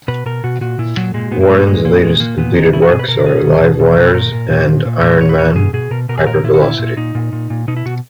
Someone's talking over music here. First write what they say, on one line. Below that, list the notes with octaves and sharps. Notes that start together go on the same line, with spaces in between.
Warren's latest completed works are "Livewires" and "Iron Man: Hypervelocity".
B2 B4
B2 A#4
B2 F#4
A#2 F#4
A#2 E4
A#2 F#3
A#2 G#3
A#2 B3
A#3
A#2 G#3
A#2 G#3
A#2 A#3
A#2 G#3
A#2 A#3
A#2 B3
A#2 D#4
B2 E4
F#4
B2 G#4
B4
B2 A#4
B2 G#4
B2
B2
B2
B2
B4
A#2 A#4
A#2
A#2
A#2
A#2
A#2
A#2 C#5
B4
A#2 C#5
B2 G#4
B2 G#4
B2 A#4
B2 A#4
G#4
A#2 A#4
A#2 E4
F#4
A#2 E4
A#2
A#2 D#4
A#2
A#2
A#2
B2 D#4
E4
B2 F#4